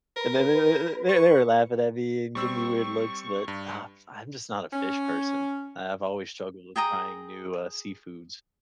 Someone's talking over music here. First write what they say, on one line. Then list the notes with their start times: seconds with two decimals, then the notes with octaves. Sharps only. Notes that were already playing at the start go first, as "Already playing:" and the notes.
then then th they were laughing at me, and giving me weird looks, but, ugh, I'm just not a fish person. I I've always struggled with trying new, uh, seafoods.
0.16 A#4 B4
1.09 C#6
2.35 G3 C4 C#6 E6
3.48 G2
4.73 C#4
6.76 G#4 G5 A#5 D#6